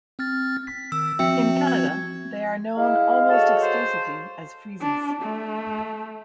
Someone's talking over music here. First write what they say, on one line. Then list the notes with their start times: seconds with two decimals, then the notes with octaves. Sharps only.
In Canada they are known almost exclusively as 'freezies'.
0.19 C4 F6 A6
0.67 B6
0.92 D#3 E6
1.19 F3 C4 F#4 E5 G5 C#7
1.67 G#6
2.77 G#3 E4 F5
3.30 F#4 A4 C#5 A5
3.62 C5
4.82 D4
5.23 A3